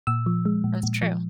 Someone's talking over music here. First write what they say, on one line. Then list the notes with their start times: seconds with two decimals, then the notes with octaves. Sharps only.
That's true.
0.07 A#2 E6
0.26 F3
0.45 G#3
0.64 A#2
0.83 A#2
1.02 F3